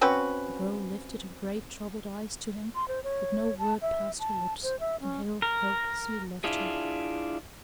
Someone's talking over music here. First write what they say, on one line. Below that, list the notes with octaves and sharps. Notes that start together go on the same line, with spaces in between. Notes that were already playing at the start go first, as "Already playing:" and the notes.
The girl lifted her great troubled eyes to him, but no word passed her lips, and Hale helplessly left her.
C4 C#4 F#4 B4
C6
C5
C#5
A5
E5
A5
C5
E5
C#4
A#4
D4 E4 F4 G#4